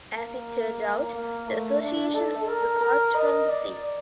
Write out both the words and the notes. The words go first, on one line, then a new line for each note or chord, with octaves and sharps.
As it turned out, the Association also passed from the scene.
A#3
A#3
A3
D4
A4
A#4
A#4
D#5
D5